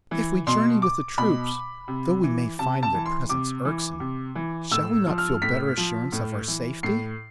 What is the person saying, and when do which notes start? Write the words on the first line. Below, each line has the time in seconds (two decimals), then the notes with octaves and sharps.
"If we journey with the troops, though we may find their presence irksome, shall we not feel better assurance of our safety?"
0.11 E3
0.47 B2 C6
0.82 D6
1.18 B2 B5
1.88 C3
2.23 E3
2.59 C3 A5
2.83 A5
2.94 E3
3.06 C6
3.29 C3 D6
3.65 E3
4.00 C3
4.35 E3
4.71 A2 E6
5.07 F3
5.18 F6
5.42 A2 B6
5.77 F3
6.12 A2
6.48 E3
6.83 A2 C7